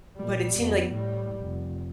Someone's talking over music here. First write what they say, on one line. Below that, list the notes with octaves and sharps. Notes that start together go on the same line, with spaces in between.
but it seemed like
A#2 G3
F2 B3
A2 G3
F1